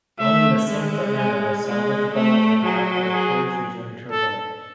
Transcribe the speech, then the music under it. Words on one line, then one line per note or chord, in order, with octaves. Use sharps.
Only the "Santa Ana" was salvageable and after repairs resumed her voyage.
A3 E5
G#3
G#5
G#3
A3
F#3 G#4
G#4
A4